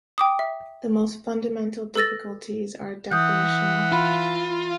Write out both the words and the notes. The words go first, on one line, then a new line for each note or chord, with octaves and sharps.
The most fundamental difficulties are definitional.
G5 D6 D#6
E5
A4 B4 E6 A6 A#6
E3 F#5 D#6 G6
F4 B5